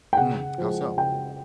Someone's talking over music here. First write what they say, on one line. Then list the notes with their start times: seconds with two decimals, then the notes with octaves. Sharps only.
Hmm, how so?
0.13 G5
0.17 C#3 F#5
0.58 F3 G#3
0.97 C#3 G5